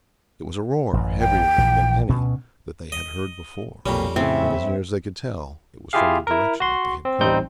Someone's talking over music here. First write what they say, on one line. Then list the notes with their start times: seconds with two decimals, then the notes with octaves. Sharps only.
It was a roar heavier than any that they had heard before, and as near as they could tell, it was from the direction that they had come.
0.93 A1 F#2
1.21 G5
1.58 A#1 E3
2.09 D2 B2 C#4
2.92 D#5
3.86 B1 F2 A#2 G3 C#4
4.16 A2 C#3 C4 E5
5.93 E4 F4 G4 G#4 F5
6.27 E4 A#4
6.60 F#4 C6
7.05 C4
7.21 A1 G3 C4 D#4 G6